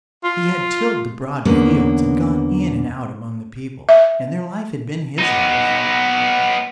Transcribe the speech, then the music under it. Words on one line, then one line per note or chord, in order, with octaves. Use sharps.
He had tilled the broad fields and gone in and out among the people, and their life had been his life.
F4
E2 D3 A#3 B3 C#4
E5
B3 D#4